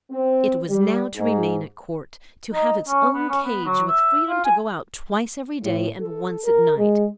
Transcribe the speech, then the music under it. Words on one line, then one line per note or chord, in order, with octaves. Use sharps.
It was now to remain at court, to have its own cage, with freedom to go out twice every day and once at night.
C4
G3
G#2
D#4
C#4
B3
C#4
B3
F#3
E5
F4
G#5
A2
A4
A#4
G#3